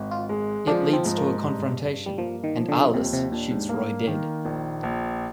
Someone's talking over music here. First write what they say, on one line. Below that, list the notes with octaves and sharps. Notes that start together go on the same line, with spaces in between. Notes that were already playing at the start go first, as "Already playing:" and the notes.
It leads to a confrontation, and Arlis shoots Roy dead.
Already playing: G#1
F4
G#3
F3 D4
C4
G#2
A#3
G2
G2
G3
F3 A#3
D#3
F3
D3
D#2 C3
C3
A#2 D4
G#2
A#3
D#3
A#1 A#2
A#1